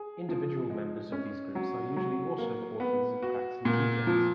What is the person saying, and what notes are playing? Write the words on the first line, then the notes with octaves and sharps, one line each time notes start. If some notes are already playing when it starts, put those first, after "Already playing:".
Individual members of these groups are usually also the authors of cracks and keygens.
Already playing: G#4
F3
G#3
C#4
F#3
F#3
A#3
B3
F#4
A#2
F3